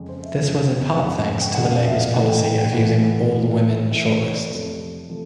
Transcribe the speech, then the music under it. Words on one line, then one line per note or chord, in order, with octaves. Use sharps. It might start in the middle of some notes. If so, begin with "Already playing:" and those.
This was in part thanks to Labour's policy of using all-women shortlists.
Already playing: F2 C#3 F3 G#3
C5
E5
F2 C#3 F3 G#3
F2 C#3 F3 G#3 F#5
F#5
F#5
G5
F2 C#3 F3 G#3 F#5
F5
E5
F5
A2 E3 A3 F#5
G5
G5
G5
A2 E3 A3 F#5
A2 E3 A3
A2 E3 A3 E5
D#5
C#5
D5
F2 C3 F3 A3
C3 F3 A3